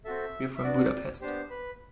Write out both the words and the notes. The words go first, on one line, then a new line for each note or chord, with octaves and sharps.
We’re from Budapest.
C4 F#4 A4 E5
E5
B3 D4 F#4 D5
B3 D4 G4 C5
B4